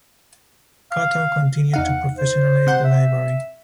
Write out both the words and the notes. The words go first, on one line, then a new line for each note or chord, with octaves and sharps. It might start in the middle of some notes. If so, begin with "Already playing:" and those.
Cutter continued to professionalize the library.
F5
E2 D#4 F5 F#5
C5
C3 F#5 G6
E5